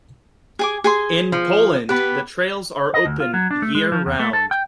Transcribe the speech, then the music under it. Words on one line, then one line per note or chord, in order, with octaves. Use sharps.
In Poland, the trails are open year-round.
G#4 G#5 D6
G#4 G#5 C6
F3
B3 G4 B4
D#5
D2
F4
F#3
D4
A3
G#3
F3
E2
A3
A4
G5